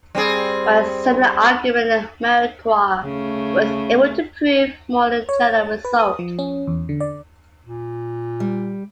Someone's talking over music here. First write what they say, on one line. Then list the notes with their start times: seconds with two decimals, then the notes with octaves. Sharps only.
By a similar argument, Melchior was able to prove a more general result.
0.15 G3 C4 G#4
3.04 C#3 A3
5.29 C#5
5.43 A6
5.85 B4
5.99 D#6
6.19 F3
6.39 C#4
6.67 E2
6.89 D3
7.00 D5
7.66 A#2
8.40 G3